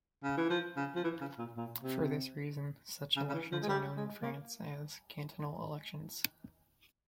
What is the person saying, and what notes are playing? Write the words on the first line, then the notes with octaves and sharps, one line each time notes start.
For this reason, such elections are known in France as "cantonal elections".
C#3
E3
F3
C#3
F3
E3
C#3
A#2
A#2
C3
C#3
C#3
E3
F3
G#3
G3
G#3
A#3